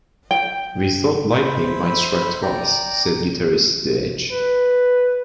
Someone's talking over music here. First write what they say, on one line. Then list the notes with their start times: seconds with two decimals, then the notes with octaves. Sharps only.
"We thought lightning might strike twice", said guitarist The Edge.
0.31 G5
1.32 E4 C5 B5
2.42 D5 G5 A#5
4.32 B4